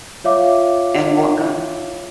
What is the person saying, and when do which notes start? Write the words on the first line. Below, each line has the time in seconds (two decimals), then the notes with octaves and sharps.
And what no
0.24 F4 C#5 E5 F5 D6